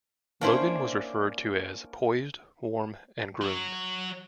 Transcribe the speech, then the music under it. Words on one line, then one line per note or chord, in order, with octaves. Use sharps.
Logan was referred to as "poised, warm and groomed".
A#3 C#4 D4 E4 A#4 C5
F#3 F#4